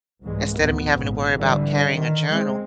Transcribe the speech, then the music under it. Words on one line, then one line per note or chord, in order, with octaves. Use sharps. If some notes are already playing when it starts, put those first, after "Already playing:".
instead of me having to worry about carrying a journal,
C2 G#2 E3 G#3
D2 A2 E3 B3
G#1 A#2 C#3
D3 E3 G3
D#3
G#3 C4